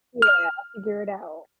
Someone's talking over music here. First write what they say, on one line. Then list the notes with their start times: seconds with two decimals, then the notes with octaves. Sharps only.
yeah, figure it out.
0.22 F6